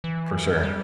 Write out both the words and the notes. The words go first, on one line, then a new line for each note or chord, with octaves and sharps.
For sure.
E3
G3